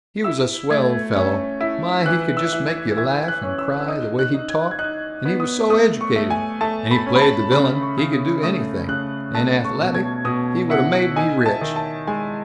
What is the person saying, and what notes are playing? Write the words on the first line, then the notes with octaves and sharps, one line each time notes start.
He was a swell fellow; my, he could just make you laugh and cry, the way he talked; and he was so educated, and he played the vi'lin--he could do anything--and athaletic--he would have made me rich.
E4 E6
A3 G#6
C#4
E4
E3 F#6
E6
E4
G#6
E4 G#6
F#6
C#4
E6
E6
D#4 D#6
F#6
D#4
G#6
G#6
D#4 F#6
B3
D#6
A3 D#6
C#6
A3
G#5
A3 A5
B5
C#4
B5
A5
C#3 B5
C#6
C#3
D#6
A3 D#6
C#3 F#6
A3 A5
C#6
B2
G#6
B2 D#6
E4 F#5
D#4 G#5
A5
D#3
A5
G#3 G#5